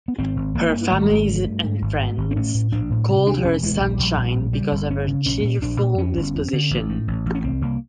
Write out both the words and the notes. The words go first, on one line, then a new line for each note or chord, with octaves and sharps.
Her family and friends called her "Sunshine" because of her cheerful disposition.
B3
G#1 C4
G#1
G#1 A#3
G2
G#1 A3
G#1
D3
G2
G#2
G#1
G#2
G#1
C4
A2 C#4
A2
A#1 D4
A2
C3
D2 D4
E1 C#4
D2 G#3
A#1 G3
A#1
A#1
A2
C#3 G3
G1
G1 C#4
C#3
A#1 C#4
A#2
A#1 D4
A#2
F2 C#4
G1
F2
D3
A1
A2
A1
A1
C#4
C2 C4
C2 A#3